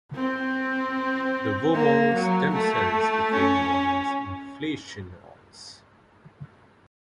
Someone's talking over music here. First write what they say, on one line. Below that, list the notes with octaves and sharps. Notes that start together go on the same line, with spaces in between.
The wormholes themselves became known as "Inflation Holes".
C4
A#3
F#3
A3
C#4